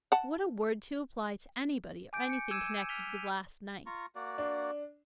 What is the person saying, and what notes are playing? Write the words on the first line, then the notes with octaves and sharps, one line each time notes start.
"What a word to apply to anybody or anything connected with last night!"
F#5 A5
G#5 D6 G6 D7
C#7
D6 E6 G#6 D#7 E7
E6 F6 B6 D#7 F7 G7
D#7 F7
F4 A#5 C#6
A#3 F#4 D5
D4